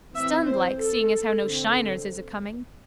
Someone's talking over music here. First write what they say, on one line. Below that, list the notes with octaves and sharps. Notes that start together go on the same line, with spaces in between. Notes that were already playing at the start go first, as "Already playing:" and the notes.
Stunned like, seeing as how no shiners is acoming.
E3 C4 E5
C5
A4
D3 C4